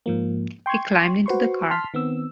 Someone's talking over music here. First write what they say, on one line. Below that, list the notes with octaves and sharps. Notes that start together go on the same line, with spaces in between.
He climbed into the car.
G#2 F3 A#3
G5 C6 C#6 G#6
F#4 B4 C5 C6 C#6
A5 C6 F6 B6
D#3 B3 C4 E6